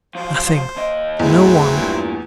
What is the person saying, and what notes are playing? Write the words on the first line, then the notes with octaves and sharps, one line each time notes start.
Nothing--no one!
F3 F#3 C5
D#2 D#5
E2 A2 F#3 C4 E4 G#4
G2 A#3 F4